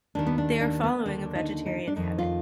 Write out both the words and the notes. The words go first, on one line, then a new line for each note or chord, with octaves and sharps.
They are following a vegetarian habit.
D#2 D#3 D4
B3
D4
D4
B3
D#2 D3 D4
D#4
D#4
D4
F2 D#3 D#4
F4